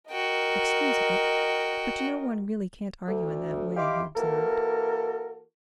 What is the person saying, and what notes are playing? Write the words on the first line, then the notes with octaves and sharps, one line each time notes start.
"Excuse me, but you know one really can't argue in that way," he observed.
F#4 A#4 D#5 G5
D2
E4 G4 D#5 F5 C6 D6
E3 A#3 F#4 A4 A#4